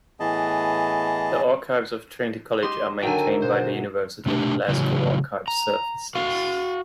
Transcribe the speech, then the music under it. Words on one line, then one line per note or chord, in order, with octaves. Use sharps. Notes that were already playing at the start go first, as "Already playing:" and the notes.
The archives of Trinity College are maintained by the University of Glasgow Archives Services.
A2 E3 B3 G#4 D#5 A5
G#3 G4 D#5 C6
D3 D#3 F#3 A#4 E5 G5 G#5 A#5
B2 F#4 G#4 C5
C3 A3 D4 G4
A2 C#3 E3 F#3
A#5
F#4 F5